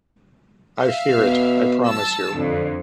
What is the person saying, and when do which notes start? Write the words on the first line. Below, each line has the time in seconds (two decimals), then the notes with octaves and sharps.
I fear it, I promise you.
0.82 E5 F5
1.18 B2
1.85 A5 E6
2.34 F2 D3